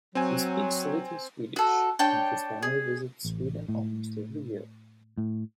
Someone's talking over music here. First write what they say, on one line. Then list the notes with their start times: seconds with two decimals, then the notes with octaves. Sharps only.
He speaks a little Swedish, and his family visits Sweden almost every year.
0.15 F#3 C4 G#5
1.56 F#4 A4
1.99 D4 C#5 G5
2.62 G#4
3.25 A1
3.68 A2
5.18 A2